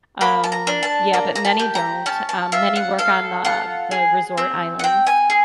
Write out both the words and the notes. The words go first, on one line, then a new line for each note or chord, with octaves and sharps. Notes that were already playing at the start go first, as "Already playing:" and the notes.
Um, yeah, but many don't, um, many work on the the resort islands.
A#3 B5
A5
A#5
D4
A5
A#3 A#5
A#5
A5
G4
A#5
C#4 A5
A5
F4 E5
F#5
A4 F5
F4 F#5
G#4
C4
F#5
C4 G5
G#5
G#4